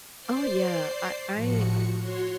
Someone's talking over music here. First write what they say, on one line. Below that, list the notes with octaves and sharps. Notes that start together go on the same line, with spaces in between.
Oh, yeah, I I
C5 D5 C7
A2 F3 F#4 C#7
F#4 C#5 C6